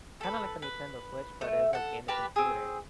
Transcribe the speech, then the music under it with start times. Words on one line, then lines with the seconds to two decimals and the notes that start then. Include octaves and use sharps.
kinda like a Nintendo Switch, but it's a gaming computer.
0.21 A4 B4
0.62 B4
1.41 A3
1.73 A4 F#5
2.08 G4 A#4 B4 A5
2.36 C4 G#4